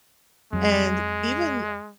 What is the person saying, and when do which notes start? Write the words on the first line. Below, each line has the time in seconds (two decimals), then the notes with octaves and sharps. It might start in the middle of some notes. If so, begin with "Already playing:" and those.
and even
0.53 F2 F#3 G#3